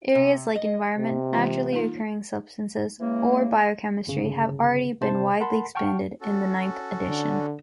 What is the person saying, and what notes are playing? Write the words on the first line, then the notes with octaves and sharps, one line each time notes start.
Areas like environment, naturally occurring substances or biochemistry have already been widely expanded in the ninth edition.
C3
D#5
C3
E3 G#3 F4
A#3 D#4 F4
C#3 E3 G#3 A#3
G1 C#3
C3 C5 A5
A#4 F#5 A5 B5 C6
F#5 G5 A5 C#6 F6
C#4 F#4 A4
D3